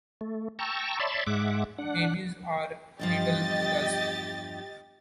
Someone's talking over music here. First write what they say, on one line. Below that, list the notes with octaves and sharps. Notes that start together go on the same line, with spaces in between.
Babies are little Buddhas.
A3
G5 A5 A#5 C#6 E6
C#5 D5 E5 A5 B5 C6
G#2 G#3 E5 F#5 D6
D4 F#5
E2 G2 F3 G4 D#5 A6